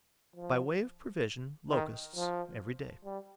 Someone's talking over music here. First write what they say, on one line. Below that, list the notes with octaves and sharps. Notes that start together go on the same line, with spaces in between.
By way of provision, Locusts, every day.
F3
D#3
F3
G3